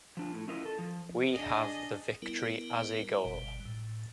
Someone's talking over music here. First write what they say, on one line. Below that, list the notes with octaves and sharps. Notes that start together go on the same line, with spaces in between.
We have the victory as a goal.
F3 D4 F4
A2
C#4 E4 F4 A#4 D#5
A4
F3
D4 G#4 D#5
G3 B3 E4 A#4
G1 B2 G3
A2